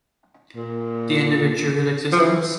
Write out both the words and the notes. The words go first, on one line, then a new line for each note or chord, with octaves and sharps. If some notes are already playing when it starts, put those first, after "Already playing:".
The end of your trivial existence?
A#2
F3
E3